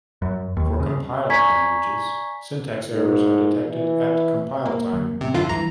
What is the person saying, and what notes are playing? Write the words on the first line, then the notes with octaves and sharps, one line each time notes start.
For compiled languages, syntax errors are detected at compile-time.
F#2
D#2
C#3
D5 G#5 A#5 C#6 G#6 B6
G#2
E3
A#3
D3 F#3
A2 C3 B3
F#2 D3 F4
C#2 E3 G3 A#5